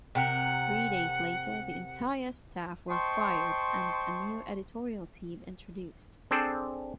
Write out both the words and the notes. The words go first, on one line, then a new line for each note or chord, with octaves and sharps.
Three days later the entire staff were fired and a new editorial team introduced.
C3 A#4 F#5
C5 D#5 G5 A5 C6 C#6
C4 D4 G#4 A4 C5 D5